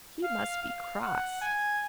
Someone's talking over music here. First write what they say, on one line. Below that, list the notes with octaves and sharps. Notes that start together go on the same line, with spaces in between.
"He must be cross."
F5
F5
F#5
G#5